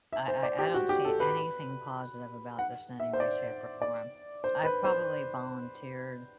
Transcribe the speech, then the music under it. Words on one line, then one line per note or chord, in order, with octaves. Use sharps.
I I I don't see anything positive about this in any way, shape, or form. I've probably volunteered
E5
C5
D5
G4
F#4
G4
A4
B4
F#5
E5
C5
D5
D5
C5
B4
C5